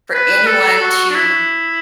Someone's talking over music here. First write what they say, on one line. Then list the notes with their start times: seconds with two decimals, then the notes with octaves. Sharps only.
for anyone to
0.14 B4
0.47 A4
0.81 F#4
1.10 D4
1.15 E4